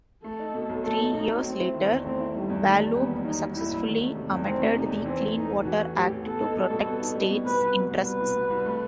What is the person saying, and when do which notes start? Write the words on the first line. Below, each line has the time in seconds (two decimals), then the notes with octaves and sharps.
Three years later, Wallop successfully amended the Clean Water Act to protect states' interests.
0.24 A3 A4
0.39 D#4
0.54 B2
0.69 B1
0.84 A3 A4
0.99 D#4
1.14 B2 D#4
1.29 B1
1.44 A3 C4
1.60 E4
1.74 D#3
1.89 E2
2.04 A3 C4
2.20 E4
2.35 D#3 G3
2.50 E2
2.65 D#3 A3
2.79 G3
2.94 D#2 B3
3.09 E1
3.25 D#3 D#4
3.40 G3
3.55 D#2 E4
3.70 E1
3.85 D#3
4.00 A3
4.15 C3
4.30 E2
4.44 D#3 C4
4.60 A3
4.75 C3 D#4
4.90 E2
5.05 E3 C4
5.20 A3
5.35 A2 D#4
5.50 A1
5.65 E3 F#4
5.80 A3
5.95 A2 G4
6.10 A1
6.25 B3 A4
6.40 D#4
6.55 G3
6.70 B2
6.85 B3
7.00 D#4
7.15 G3
7.30 B2
7.45 G3 B4
7.61 C2
7.76 B2
7.91 C2
8.05 G3 B4
8.20 C2
8.36 B2
8.50 C2
8.66 A3